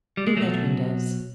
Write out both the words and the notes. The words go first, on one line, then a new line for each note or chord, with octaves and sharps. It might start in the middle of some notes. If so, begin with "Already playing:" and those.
Inlet windows.
G3
G#3
B2 F#3 A3